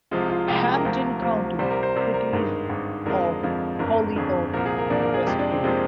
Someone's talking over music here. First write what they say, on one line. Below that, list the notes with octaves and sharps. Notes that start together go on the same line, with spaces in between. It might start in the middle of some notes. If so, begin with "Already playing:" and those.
Hampden County: Cities of Holyoke and Westfield.
C2 C3 F3 G#3 F4
F4
C2 C3 F3 G#3 G4
G4
A#4
D2 C3 F3
D2 C3 F3
C2 C3 G3 C5
A#4
C5
C2 C3 G3 A#4
A#4
G#1 G2 D#3 G#3
G#1 G2 D#3 G#3
F2 D3 F3 G#3 A#4
F2 D3 F3 G#3
G1 F2 D3 A#4
G1 F2 D3 G#4
C2 A#2 F3 A#4
G#4
A#4
C2 A#2 F3 D4
A#4
G#4
F2 C3 F3 G#3 G4
D4
C4
C3 F3 G#3 A#3